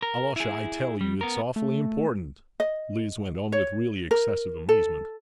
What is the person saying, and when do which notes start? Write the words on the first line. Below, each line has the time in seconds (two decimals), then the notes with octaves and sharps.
"Alyosha, I tell you, it's awfully important," Lise went on, with really excessive amazement.
0.02 A#4
0.36 E4 G#4
1.01 G3
1.21 B3 A#4
1.56 A3
2.60 D#5
3.52 C#5
4.11 A#4
4.69 A4